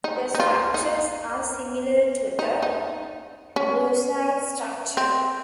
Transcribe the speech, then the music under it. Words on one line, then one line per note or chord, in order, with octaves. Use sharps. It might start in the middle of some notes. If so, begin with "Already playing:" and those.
The structures are similar to the brucite structure.
D#4
D#4
F4
D#4
D#4
D#4
C#4
C4